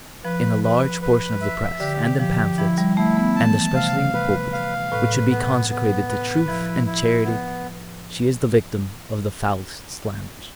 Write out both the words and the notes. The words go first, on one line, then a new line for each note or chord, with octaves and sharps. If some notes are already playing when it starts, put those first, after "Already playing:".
In a large portion of the press, and in pamphlets, and especially in the pulpit, which should be consecrated to truth and charity, she is the victim of the foulest slanders.
F3 B4
B4
B4
E5
D3 G4
F3 G4
F3 E4
G3
A3 E4
B3
E3 A5
C3 F5
B4
F5
A2 B4
B3
B3
B4
F3 E4
E4
B3